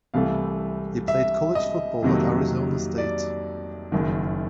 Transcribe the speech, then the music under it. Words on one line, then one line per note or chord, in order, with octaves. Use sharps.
He played college football at Arizona State.
C2 C3 E3 A3 F5
E5
D#5
F2 C3 D#3 F#3 A#3
D5
F#1 F#2 D#3